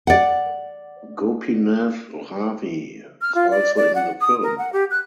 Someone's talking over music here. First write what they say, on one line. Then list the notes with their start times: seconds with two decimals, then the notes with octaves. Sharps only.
Gopinath Ravi is also in the film.
0.07 D5 F#5
3.22 F6
3.35 F4
3.51 D5
3.76 D5
3.95 F#5
4.21 D#6
4.43 A#4
4.58 F#5
4.73 G4
4.91 F#6